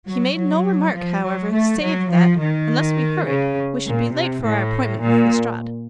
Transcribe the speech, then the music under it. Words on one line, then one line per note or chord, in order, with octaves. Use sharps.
He made no remark, however, save that, unless we hurried, we should be late for our appointment with Lestrade.
F#3
F#3
F3
F#3
A3
F#3
F3
D#3
C#3
A#2
C3
A2
A#2